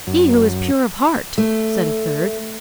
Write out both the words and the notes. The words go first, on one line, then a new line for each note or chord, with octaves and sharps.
"He who is pure of heart," said a third.
F#2
A3